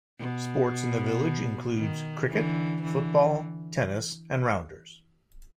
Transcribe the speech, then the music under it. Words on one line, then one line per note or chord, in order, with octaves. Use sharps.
Sports in the village includes cricket, football, tennis, and rounders.
B2
D#3
D3 E3
D3 E3